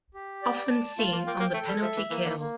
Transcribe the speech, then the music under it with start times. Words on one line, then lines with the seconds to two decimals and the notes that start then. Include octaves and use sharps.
Often seen on the penalty kill.
0.14 G4
0.43 D5
0.70 A5
0.98 A3 F4
1.12 A#3
1.27 A#3 G5
1.40 A#3
1.54 A3 A4
1.68 G3
1.82 F3 E5
1.97 E3
2.10 E3 A#3
2.25 D3
2.29 E3
2.39 A#3